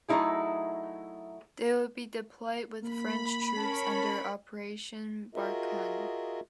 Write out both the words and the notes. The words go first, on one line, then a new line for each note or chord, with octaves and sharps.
They would be deployed with French troops under Operation Barkhane.
F#3 A3 C#4 D#4 E4 G#4
A#3 B5
C#4 A#4 C#5 A5
F4 F#4 G#4 A#4 D#5 E5